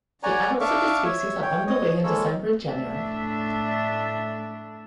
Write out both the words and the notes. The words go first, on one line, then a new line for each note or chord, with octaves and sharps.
The adults of this species are on the wing in December and January.
C#5 D5 F#5 G#5 A#5
D4 E5 F5 C#6 D6
C#5 E5
C#5 G5
C#5 D#5 D#6
G#3 A#3 A4 C#5 E6
A2 D4 E5